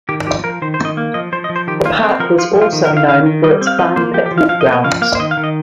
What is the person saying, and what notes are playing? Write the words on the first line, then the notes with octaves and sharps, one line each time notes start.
The park was also known for its fine picnic grounds.
D#3 G4
F3 G4
F3 A#4
D#3 C5
C5
D#3
D#5
A#3
F3 D#5
F3 C5
D#5
F3
C5
D#3 G4
A#3 F4
C4
F3 A#4
F3 F4
F3
F4
D#3
A#4
D#3
F5
D#3 F5
D#3
G3 D#5
C4
F5
F3 D#5
A#3 C5
F3 G4
G4
F3
F5
F3 F5
D#5
A#3
D#5
F3 F5
A#3 F5
C5
D#3 D#5
F5
D#3
D#5